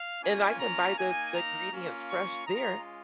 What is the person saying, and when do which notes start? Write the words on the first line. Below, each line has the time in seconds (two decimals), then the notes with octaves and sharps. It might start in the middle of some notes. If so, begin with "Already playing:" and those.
and I can buy the the ingredients fresh there
Already playing: F5
0.21 A#3 C#4 F4 G#5
0.59 A#5
0.97 A#3 D#4 G#5
1.34 A#5
1.71 A#3 C#4 F4
2.09 C#6
2.46 G#3 C#4 F4 A#5